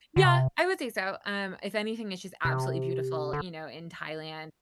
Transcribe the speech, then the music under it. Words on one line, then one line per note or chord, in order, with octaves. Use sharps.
Yeah, I would say so, um, if anything, it's just absolutely beautiful, you know, in Thailand
D3
C3
C3
D3